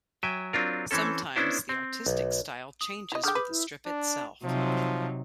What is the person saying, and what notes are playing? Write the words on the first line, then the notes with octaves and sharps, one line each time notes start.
Sometimes, the artistic style changes within the strip itself.
F#3 E5 G5 G#5
F#3 C4 D4 F4 A#4
E3 C4 C#4 A4
B3 C#4 D4 E4 C5
C4
B1
D#6
E4 D#5
D3 G4 G#4 D6 D#6 F6 G6
B4
E4
D4
C3 F3 F#3 D#4